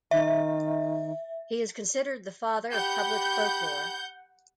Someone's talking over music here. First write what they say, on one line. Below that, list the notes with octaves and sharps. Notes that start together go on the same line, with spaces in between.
He is considered the Father of Public Folklore.
D#3 E5
G4 F#5 B5 G6